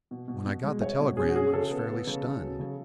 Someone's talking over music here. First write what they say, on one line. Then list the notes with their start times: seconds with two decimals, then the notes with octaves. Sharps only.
When I got the telegram I was fairly stunned.
0.11 B2
0.28 B2
0.46 B2
0.63 G#3
0.81 G#3 C#5
1.00 B2
1.17 C#4 G#4
1.29 F#4
1.35 C#4 G#4
1.54 C#3 A4
1.70 B3
1.89 B3
2.07 C#3
2.24 C#3
2.42 F#3
2.59 C#3